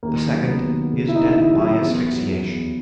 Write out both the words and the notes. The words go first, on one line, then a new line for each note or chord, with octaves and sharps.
The second is death by asphyxiation.
D#2 A#3
F#3
B3
D#2
C#3
E4
D#4
D#2
E4
F#3
E4
E2 B3
F#3
E2